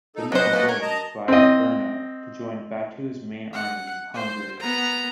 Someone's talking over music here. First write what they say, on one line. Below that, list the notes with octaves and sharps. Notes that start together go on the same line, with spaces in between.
Then they continued via Brno, to join Batu's main army in Hungary.
D#4 A4
F#3 B4 C5 D#5 F#5
A3 A#3
A#4 C#5
D#5 A5 A#5
C4 D#5
F#5
C5
B3 A#5